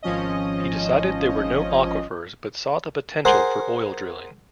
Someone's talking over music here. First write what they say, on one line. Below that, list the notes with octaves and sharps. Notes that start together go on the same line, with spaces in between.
He decided there were no aquifers but saw the potential for oil drilling.
G#1 F3 C#4 D#5
G#4 A#4 C5 F#5